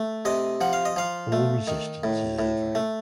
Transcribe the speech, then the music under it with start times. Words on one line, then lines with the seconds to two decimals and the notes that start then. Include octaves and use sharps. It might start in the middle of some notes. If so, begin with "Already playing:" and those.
All resistance is over.
Already playing: A3
0.25 C3 D#5
0.61 F3 F#5
0.73 F5
0.85 D#5
0.96 F3 F5
1.32 A3
1.67 D#3
2.04 A2
2.39 A2
2.75 A3